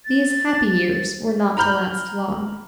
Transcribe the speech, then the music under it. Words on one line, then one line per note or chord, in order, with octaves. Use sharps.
These happy years were not to last long.
A6
A#5 B5 F6 G6